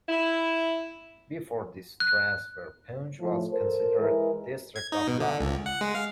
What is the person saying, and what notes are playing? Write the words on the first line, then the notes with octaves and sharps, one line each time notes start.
Before this transfer, Poonch was considered a district of Lahore.
E4
F#6
A2 F3
A4 A#4 C5
E3 G#3 E4 A#4
G#6
D#4
B2
D3
C#2
F#5
G#3
F5